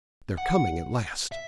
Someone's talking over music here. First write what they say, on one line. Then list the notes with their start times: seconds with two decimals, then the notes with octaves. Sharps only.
'They're coming at last.'
0.38 F#5
1.32 E5